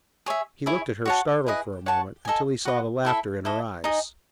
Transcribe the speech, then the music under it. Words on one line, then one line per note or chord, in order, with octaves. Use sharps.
He looked at her, startled for a moment, until he saw the laughter in her eyes.
G#4 C#5 E5
E4 G#4 C#5 E5
F#4 C#5 F#5 A5
E4 G#4 B4 D#5
C#5 F#5 A5 C#6
A4 D#5 G#5
F#4 B4 D#5
E4 A4 E5 B5
E4 A4 D#5
D#4 G#4 D#5